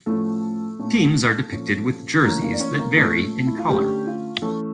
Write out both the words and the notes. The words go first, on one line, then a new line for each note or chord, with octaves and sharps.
Teams are depicted with jerseys that vary in color.
A2 F3 A3 C#4 A4
A#2 A3 C#4
A#2 F3 C#4
E3 A3 A#3 C#4 A#4
A#3 A#4
D5
C#4 C#5
A#3 A#4
A#2 F3 A3 C#4 A4
E4
F4
D3 G3 A3 C#4 G4
F4
E3 A3 C#4 A4